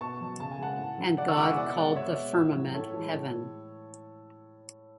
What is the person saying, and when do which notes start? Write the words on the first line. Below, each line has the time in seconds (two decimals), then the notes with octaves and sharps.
And God called the firmament Heaven.
0.01 B2 A5 C#6
0.21 F#3
0.40 C#3 A5
0.51 G#5
0.59 G#3 F#5 A5
0.79 A2
0.98 F#3
1.18 C#3 D5 F#5
1.28 C#6 E6
1.37 E3 G#3 F#5 B5 D6
1.47 E5 G#5
1.57 B2 D5 F#5
1.76 G#3 D5 F#5
1.96 B2 C#5 E5
2.15 G#3
2.35 A2
2.55 F#3
2.74 A2 A4 C#5
2.93 E3 G#3
3.13 A2